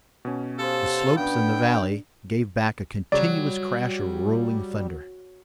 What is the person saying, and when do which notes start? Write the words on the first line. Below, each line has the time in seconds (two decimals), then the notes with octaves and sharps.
The slopes and the valley gave back a continuous crash of rolling thunder.
0.25 B2 C#4
0.58 G4 A4 C5 F5
1.17 B3 D4 G5
3.12 C#3 F#3 G3 D5